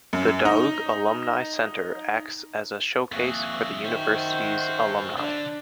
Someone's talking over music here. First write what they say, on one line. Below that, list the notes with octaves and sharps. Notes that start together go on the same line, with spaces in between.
The Dauch Alumni Center acts as a showcase for the university's alumni.
F#2
D#4
F2 A#3 F#4 G#4 E5
D#3 C#4 F#4 C5
D3 D4